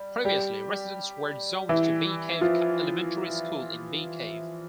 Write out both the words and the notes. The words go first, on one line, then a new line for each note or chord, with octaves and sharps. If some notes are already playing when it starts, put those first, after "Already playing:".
Previously residents were zoned to Bee Cave Elementary School in Bee Cave.
Already playing: G3
G3 G4
E3 E4
F3 F4